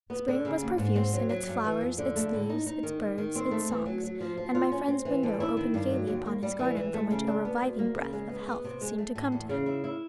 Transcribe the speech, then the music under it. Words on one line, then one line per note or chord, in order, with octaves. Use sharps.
Spring was profuse in its flowers, its leaves, its birds, its songs; and my friend's window opened gaily upon his garden, from which a reviving breath of health seemed to come to him.
B3
D3
C#3
D#2
G#2
C4
F#3
F#3
G2
E3
F2
D3
A3
A2
D#4
D#4
D#3
D#3
D#3
C4
A3
E3
F#3
F#3
F3
F3
F4
C#4
C4
E3
D3
E4
D#3
G2
F#3
D#2
A#3
G3
E3
E3
A3
C#3
D4
B3
D2
A#3
C#3
G#3
B3
B3
C3
G#3
A3
A2
E2
C#3
E4
E4